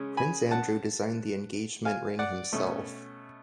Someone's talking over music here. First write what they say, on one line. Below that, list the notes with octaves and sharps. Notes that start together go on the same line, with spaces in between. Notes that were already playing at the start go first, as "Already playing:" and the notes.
Prince Andrew designed the engagement ring himself.
Already playing: C#3 G#3 C#4
G#5 B5
F#5 A5
F5 G#5
D5 F#5
B2 A3 C#4